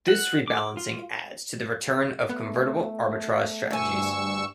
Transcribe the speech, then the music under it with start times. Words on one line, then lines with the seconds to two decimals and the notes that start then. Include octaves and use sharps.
This rebalancing adds to the return of convertible arbitrage strategies.
0.08 F#5
0.48 D6
0.77 F4
2.29 A3 B3
3.71 D2 G2 G#5 C#6 E6